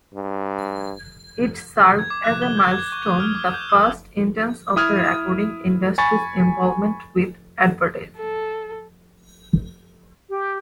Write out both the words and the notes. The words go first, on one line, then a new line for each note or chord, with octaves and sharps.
It served as a milestone-the first instance of the recording industry's involvement with advertising.
G2
G#6
D6
F#6
G7
G6
G#6
C#6
D#6
F6
D6
G6
E6
E4 D#6 F6 G#6
G#5 B5 C#6 A6
A4
G4